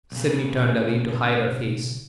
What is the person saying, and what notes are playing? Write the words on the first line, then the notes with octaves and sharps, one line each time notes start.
Sydney turned away to hide her face.
B1 C#3